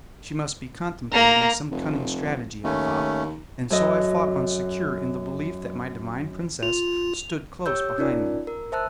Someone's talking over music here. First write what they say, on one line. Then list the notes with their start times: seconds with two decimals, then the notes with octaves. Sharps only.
She must be contemplating some cunning strategy, I thought, and so I fought on secure in the belief that my divine princess stood close behind me.
1.13 A#3 A#5
1.71 F1
2.64 D#2 A3 C#4
3.70 F#2 A4 D#5
6.63 F4 F7
7.66 G4 C#5 E6 G6
7.98 C#4 D#4 F4 A#4 D5
8.47 A#4
8.72 C5 E5 A5 E6 F#6